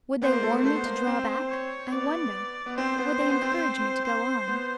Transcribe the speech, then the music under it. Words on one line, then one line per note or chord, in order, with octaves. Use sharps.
Would they warn me to draw back, I wonder? or would they encourage me to go on?
B3 C5
A#3
A3
A#3
A3 C5
B3
A#3
B3
C4
C#5
B3 D5
B3
C4 C5
B3
C4
B3
C4
C4
C5
B3